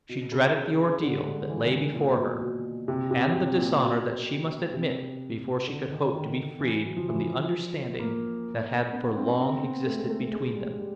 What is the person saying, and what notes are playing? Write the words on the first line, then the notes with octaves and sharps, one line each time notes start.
She dreaded the ordeal that lay before her and the dishonor that she must admit before she could hope to be freed from the understanding that had for long existed between them.
B2
C#3
D3
G3
G#3
E3
D#3
D3
A#2
B2
B2
C3
C3
C3
A#2
B2
C3
D3
D#3
D#3
D#3
E3
F#3
F3
E3
F3
A#3
B3
C4
C4
B3
A3
G#3
A3
A3
G#3
G3
G3